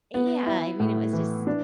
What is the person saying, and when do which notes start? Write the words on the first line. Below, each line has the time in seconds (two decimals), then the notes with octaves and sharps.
Yeah, I mean, it was just
0.14 B3
0.47 E4
0.80 A2
1.13 E3
1.47 D4